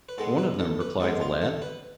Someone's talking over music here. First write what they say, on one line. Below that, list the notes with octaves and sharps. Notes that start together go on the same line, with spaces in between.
"One of them," replied the lad.
B4
G#2 G#3 B3 A4
B4
A4
B4
G#2 G#3 B3 A4
F4
A4
B4